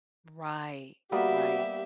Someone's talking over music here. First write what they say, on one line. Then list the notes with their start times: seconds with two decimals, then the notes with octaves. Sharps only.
Right, right,
1.12 G3 A#3 B3 F#4 G4 E5